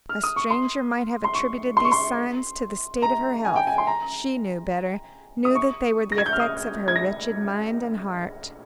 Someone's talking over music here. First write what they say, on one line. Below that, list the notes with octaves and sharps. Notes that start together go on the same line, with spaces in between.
A stranger might have attributed these signs to the state of her health; she knew better- -knew that they were the effects of her wretched mind and heart.
F6
D#6
C#6
C6
C6
C#6
C6
C#6
C6
A#5
G#5
G5
G#5
C6
A#5
D#6
C#6
A#6
G#6
G6
F6
D#6
G#6
A#6